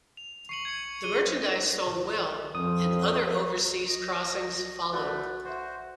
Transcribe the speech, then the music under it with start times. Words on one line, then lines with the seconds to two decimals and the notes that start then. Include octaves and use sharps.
The merchandise sold well and other overseas crossings followed.
0.17 F7
0.49 C#6 C7 C#7 D#7 F#7
0.65 G#6 C#7
1.04 G#4 D#7 G7
2.55 F2 F3 D#6
3.89 D#5
4.93 A3 F#4 A4 B4 D5 F#5
5.45 F#4 C5 E5 F#5